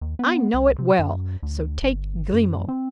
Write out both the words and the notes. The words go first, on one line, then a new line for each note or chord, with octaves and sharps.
"I know it well, so take Grimaud."
D#2
B3
C2
C3
F#2
D2
G1
F#2
C4